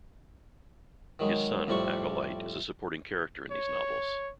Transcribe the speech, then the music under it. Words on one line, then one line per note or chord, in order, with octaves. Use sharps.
His son, Acolyte, is a supporting character in these novels.
D#3 F#3 G#3
F2 A2 G3 C4 D4 C#6
C#5